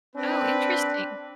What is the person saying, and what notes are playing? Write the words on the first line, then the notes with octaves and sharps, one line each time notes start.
Oh, interesting.
C4 D4 B4